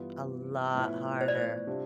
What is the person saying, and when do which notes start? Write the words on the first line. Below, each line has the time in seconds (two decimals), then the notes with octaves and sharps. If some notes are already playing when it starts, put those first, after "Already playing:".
A lot harder.
Already playing: G2 E3 B3 F4
0.75 A2 F3 B3 E4
1.21 C5
1.28 D5
1.35 C5
1.67 C3 G3 D4 F4